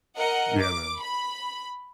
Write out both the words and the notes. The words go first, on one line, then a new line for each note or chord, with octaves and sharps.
Yeah, man.
A#4 D#5 F#5
D6
B5